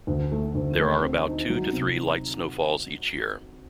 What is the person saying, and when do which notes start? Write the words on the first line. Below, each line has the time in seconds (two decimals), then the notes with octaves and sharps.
There are about two to three light snowfalls each year.
0.07 D2
0.32 A3
0.55 D2
0.79 A3
1.02 C4
1.26 D#4
1.50 F#3
1.73 C3